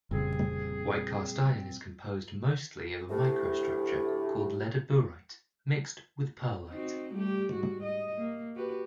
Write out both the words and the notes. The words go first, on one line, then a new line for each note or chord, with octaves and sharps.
White cast-iron is composed mostly of a microstructure called ledeburite mixed with pearlite.
F1 F2 A#2 C#3 F3 G3 C4 G#4
D2 A2 G4
C4 D#4 F#4
G3 A3 G4
G#2 G3 F#4
D#5
A#3
F#4 G4 B4